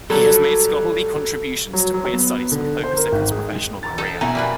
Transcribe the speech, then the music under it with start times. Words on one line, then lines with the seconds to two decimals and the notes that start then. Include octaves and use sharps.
He has made scholarly contributions to queer studies the focus of his professional career.
0.10 F#3 G3 A4
1.73 F#3
1.94 F#3
2.13 B3
2.52 D3
2.84 C5
2.97 A#4
3.12 G#1
3.31 G#4
3.83 E1 A#5 A6
3.98 D#4 A4
4.21 B2 D#4 E4 G#5 A#5
4.35 G3 A#3 B4